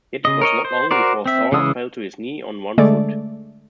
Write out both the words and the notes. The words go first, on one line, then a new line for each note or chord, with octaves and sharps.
Yet it was not long before Thor fell to his knee, on one foot.
C#3 D#5
A#4 C#5 D#5
C5
F#4 A#4 C5 D5
C4 E5
C#3 E3 G#3 D#6 E6
D3 G#3 A3 D5